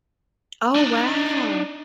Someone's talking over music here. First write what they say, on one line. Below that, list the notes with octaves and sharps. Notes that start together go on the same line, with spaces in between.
Oh, wow!
D4 D#4